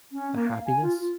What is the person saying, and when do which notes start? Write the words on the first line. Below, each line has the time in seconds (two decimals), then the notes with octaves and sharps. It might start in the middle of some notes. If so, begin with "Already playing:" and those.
the happiness,
0.12 C#4
0.34 A#3
0.48 F5
0.65 G#5
0.82 F4
1.00 F4